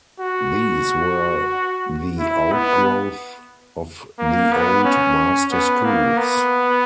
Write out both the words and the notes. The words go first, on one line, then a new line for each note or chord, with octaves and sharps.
These were the outgrowth of the old master schools.
F#4
E4
B3
A#3
B3
C#4
B3
A#3
B3